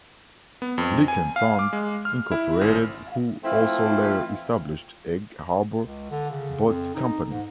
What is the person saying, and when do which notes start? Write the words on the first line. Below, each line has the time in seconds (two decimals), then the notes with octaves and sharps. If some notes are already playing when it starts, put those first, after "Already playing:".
Leek and Sons, Incorporated who also later established Egg Harbor boat company.
0.62 B3
0.78 F2
1.08 G#5
1.36 F5
1.59 D6
1.73 G#3
2.05 F6
2.32 E4
2.61 G#1
3.43 E3 F3 A3 C4 E4 F4
5.83 C#2
6.11 D3
6.30 C#3
6.67 F2
6.95 D#4
7.32 G#2